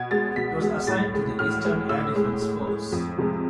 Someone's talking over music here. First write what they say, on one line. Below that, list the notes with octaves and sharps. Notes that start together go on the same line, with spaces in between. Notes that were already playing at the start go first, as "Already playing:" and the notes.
It was assigned to the Eastern Air Defense Force.
Already playing: B2 G#6
G#3 A6
B2 B6
G#3
A2 A6
G#3
A2 F6
G#3
A2 E6
G#3
A2
G#3
F2
C3 F3 G#3